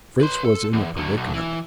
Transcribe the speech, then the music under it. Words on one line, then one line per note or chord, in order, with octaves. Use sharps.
Fritz was in a predicament.
B4 C6
A4
E2
D3 F#3
B1
E3